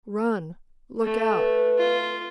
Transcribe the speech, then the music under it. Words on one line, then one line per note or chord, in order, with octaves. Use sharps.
Run! Look out!
A3
B4
F4